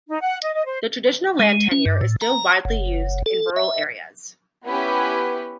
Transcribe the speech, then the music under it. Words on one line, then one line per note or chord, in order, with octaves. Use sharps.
The traditional land tenure is still widely used in rural areas.
D#4
F#5
D#5
D#5
C5
G#3
C#4
G2
A2
A#5
F#1
A4
E5
B3 C#4 E4 G4 B4